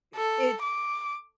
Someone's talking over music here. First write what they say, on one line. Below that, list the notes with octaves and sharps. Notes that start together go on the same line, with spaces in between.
i it
A4
D6